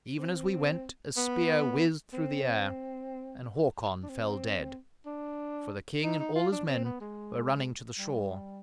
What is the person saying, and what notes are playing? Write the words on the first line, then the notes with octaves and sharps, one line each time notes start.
Even as we went, a spear whizzed through the air, and Hakon fell dead; for the king and all his men were running to the shore.
C4
B3
C4
D4
C4
D4
D#4
D#4
F4
D4
C4
B3
G#3
G3